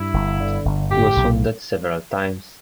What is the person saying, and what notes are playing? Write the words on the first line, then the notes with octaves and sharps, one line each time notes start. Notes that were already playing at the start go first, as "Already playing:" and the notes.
He was wounded several times.
Already playing: G2 E4
G1
D3
G1
A2 G4
B1